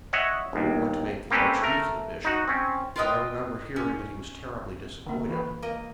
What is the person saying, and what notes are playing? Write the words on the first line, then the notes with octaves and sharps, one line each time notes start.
They were going to make the archdeacon a bishop, and I remember hearing that he was terribly disappointed.
C#5 D#5 E5 F#5
G1 D#2
A#3 C4 C#4 G4 A4 B4
A3 A#4
D#4 F#4
C4 C#4
F4 A#4 B4 D5 D#5 G5
C#4
D3 A#3
E3 F4 B4
A#3 D#5